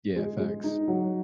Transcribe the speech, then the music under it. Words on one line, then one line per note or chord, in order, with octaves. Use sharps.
Yeah, facts.
G#3
G#3
D#4
F#3